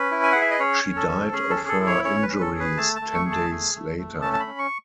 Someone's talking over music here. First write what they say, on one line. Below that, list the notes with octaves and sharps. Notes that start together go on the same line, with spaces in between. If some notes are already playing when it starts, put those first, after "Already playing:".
She died of her injuries ten days later.
Already playing: C#4 B4
E4
G#5
G#4 F#5
E5
D#5
C#4 C#5
C#4
A4
C#4
C#4 G#4
A4
G#4
A4
E4
C#5
C#4 C#5
B4
C#4
A4
G#4
B4
A3 A5
A5
A3
C#6
G#4
A5
A3
A3
A3
C#4 A5
A5
B5
C#4
C#6